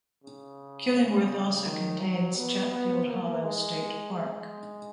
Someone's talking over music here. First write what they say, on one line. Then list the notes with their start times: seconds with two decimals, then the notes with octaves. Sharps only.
Killingworth also contains Chatfield Hollow State Park.
0.24 C#3
0.95 C#3
1.65 D#3
2.01 F#3
2.37 B3
2.71 B3
3.08 A#3
3.43 G#3
4.13 G#3